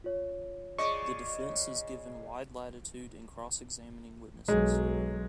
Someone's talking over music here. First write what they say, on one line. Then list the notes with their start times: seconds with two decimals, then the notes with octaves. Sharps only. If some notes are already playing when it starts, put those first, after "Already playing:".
The defense is given wide latitude in cross-examining witnesses.
0.04 F4 C#5
0.79 C#3 D5 D#5 C#6
4.48 B1 F#3 G#3